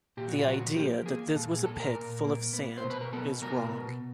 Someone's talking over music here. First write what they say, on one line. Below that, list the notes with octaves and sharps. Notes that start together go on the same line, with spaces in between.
The idea that this was a pit full of sand is wrong.
A#2 G4
F#4
F4
F3 F#4
A#3 G4
A#3 G#4
A#2 A4
G#4
A#2 A4
A#4
A#2
A#3
B3
C5
B2
B4
A#4
B3 A4
B2 A#4
B2